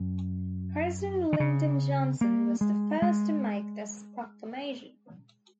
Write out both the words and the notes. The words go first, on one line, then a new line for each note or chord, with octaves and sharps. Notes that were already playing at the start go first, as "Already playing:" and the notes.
President Lyndon Johnson was the first to make this proclamation.
Already playing: F#2
D#3
C#3
A#3
G#3
G#3